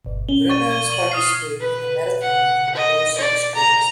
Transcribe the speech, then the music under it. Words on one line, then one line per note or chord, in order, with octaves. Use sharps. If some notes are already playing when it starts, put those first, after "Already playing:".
Runners participate in a marathon on closed city streets.
G1
C#4 G7
D5 C#6 A6 D#7
G#6 D#7 G7
C#6 D#7 F#7
D#6 F6 C7
B4
F#5
D#5
D5
A#5